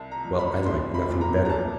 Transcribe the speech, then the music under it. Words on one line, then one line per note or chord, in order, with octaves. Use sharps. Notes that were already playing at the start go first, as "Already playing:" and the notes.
Well, I'd like nothing better.
Already playing: C2 A5
A#5
F3
B5
C2 C6
B5
A#2
A#5
A#5
A#2 A5